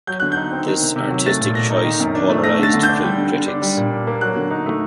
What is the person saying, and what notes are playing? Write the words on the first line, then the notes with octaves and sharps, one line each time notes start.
This artistic choice polarized film critics.
F#3 G6
D3 F#6
D#4 G6
C4
D#3
C3
C3
F#3
A3 A6
A#2
A#2 A#6
D#4
D#3
F#2
D4
A3
A3 A#6
D3 A6
D3
G6
D4
G3
D3
D3
D4
G3
A#2
D4
A#3
F#3 F#6
D3
D#4
A3